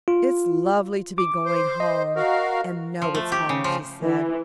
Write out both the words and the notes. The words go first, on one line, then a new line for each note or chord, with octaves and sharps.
"It's lovely to be going home and know it's home," she said.
F4
D6
C5
D#5
F#4 A#4 F5
F3
A3
G4
C#3
F3
E3